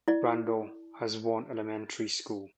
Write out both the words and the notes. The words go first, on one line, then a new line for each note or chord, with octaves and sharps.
Randall has one elementary school.
E4 D5